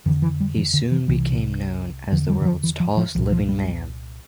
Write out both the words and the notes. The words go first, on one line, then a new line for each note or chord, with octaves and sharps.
He soon became known as the world's tallest living man.
F2 D3 E3
E3
G3
E3
D3
E3
C2 C3 E3
E2 D3 F3
G3
E3
F3
E3
F3
F3
C2 A#2 F3
F3
G3